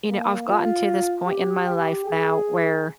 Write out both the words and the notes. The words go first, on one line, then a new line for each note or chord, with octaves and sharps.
you know, I've gotten to this point in my life now where,
A#3
F4
G4
G4
G#4